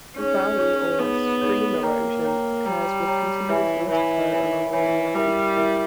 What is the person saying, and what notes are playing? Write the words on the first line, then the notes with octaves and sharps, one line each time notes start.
"Valley" or "stream erosion" occurs with continued water flow along a linear feature.
C#4 D#4 G#4 C#5
D#4 G#4 C#5
B3 D#4 G#4 C#5
D#4 G#4 C#5
A#3 C#5 G5 A#5
C#5 G5 A#5
G3 C#5 G5 A#5
C#5 G5 A#5
E3 C#5 E5 G#5 B5
E3 C#5 E5 G#5 B5
C#5 E5 G#5 B5
E3 C#5 E5 G#5 B5
G3 E4 A#4 E5
E4 A#4 E5